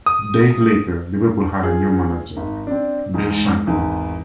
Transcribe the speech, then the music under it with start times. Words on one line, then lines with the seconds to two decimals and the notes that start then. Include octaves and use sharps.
Days later Liverpool had a new manager, Bill Shankly.
0.06 D#6
1.63 F4 G#4
2.37 G#1
2.67 C4 D4
3.14 E2 G#2
3.67 G#1 E2